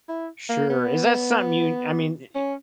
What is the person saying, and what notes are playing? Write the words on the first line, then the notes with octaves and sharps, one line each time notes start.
Sure. Is that something you, I mean,
E4
A#3
B3
C#4